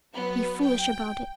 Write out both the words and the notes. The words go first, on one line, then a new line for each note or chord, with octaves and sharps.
Be foolish about it.
F#3 B3
G5